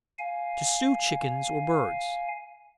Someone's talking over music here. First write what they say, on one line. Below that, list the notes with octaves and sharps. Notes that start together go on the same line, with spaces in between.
To Stew Chickens or Birds.
F5 G#5